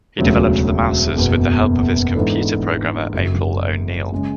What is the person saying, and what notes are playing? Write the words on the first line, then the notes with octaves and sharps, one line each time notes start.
He developed the Mousers with the help of his computer programmer April O'Neil.
E1 D2 C#3 F#3
F#1 E2 B2
G#2 E3 B3 D4 A4
F#1 F#2 C#3
C#3 G#3 C#4